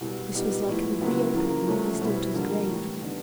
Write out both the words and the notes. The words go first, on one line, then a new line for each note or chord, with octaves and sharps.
This was like the reopening of his daughter's grave.
C2 B2 G3
A#2 G3 B3 D#4 G4
A2 F3 G#3 B3 E4
C#2 C#3 F#3 B3 E4
E2 C#3 F3 A#3
C2 C3 F3 A3 C#4
B2 G3 C4 E4
F2 D3 G3 A#3
A2 E3 G3
D3 G3 B3 D#4